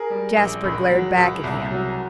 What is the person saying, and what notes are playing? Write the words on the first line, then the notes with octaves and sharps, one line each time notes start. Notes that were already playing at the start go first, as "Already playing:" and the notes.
Jasper glared back at him.
Already playing: G#4 A#4
G3
A#1
C#2
F#3
C#2
C2
F#3